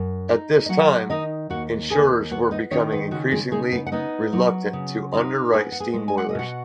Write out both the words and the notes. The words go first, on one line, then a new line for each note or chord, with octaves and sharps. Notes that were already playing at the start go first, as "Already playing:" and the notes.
At this time insurers were becoming increasingly reluctant to underwrite steam boilers.
Already playing: F#2
D#4
D#5
F#3 F#4 F#5
D#3 D#4 D#5
D#2 F#4 F#5
D#2 G#4 G#5
B3 F#4 F#5
D#4 D#5
D#3 C#4 C#5
B3 B4
C#3 F#4
G#3 G#4
G#3 D#4 G#4
B3 B4
F#5
B3 D#4 D#5
F#3
C#3
D#4
B3 G#4 G#5
F#5
G#4 G#5
G#3
G#5
F#5
D#5
B2 F#4 F#5